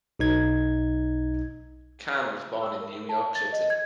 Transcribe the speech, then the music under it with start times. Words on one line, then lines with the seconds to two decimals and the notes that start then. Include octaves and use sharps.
Kahn was born in New York City.
0.19 B1 D#4 G#6
2.61 E6
2.80 A#4
3.09 A5
3.35 A6
3.53 D#5
3.70 G#6